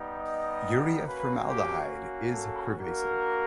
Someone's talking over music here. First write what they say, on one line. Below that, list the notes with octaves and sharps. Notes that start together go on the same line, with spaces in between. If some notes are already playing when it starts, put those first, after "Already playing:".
Urea-formaldehyde is pervasive.
Already playing: G3 B3 D#4 G4
D#5
A#3 C#4 F#4 B4
G4
A4
A#3 D4 F#4 A#4